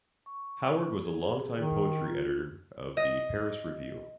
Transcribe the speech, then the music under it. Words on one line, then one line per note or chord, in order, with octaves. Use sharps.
Howard was a long-time poetry editor of "The Paris Review".
C#6
G#4
D#3
F4
D#5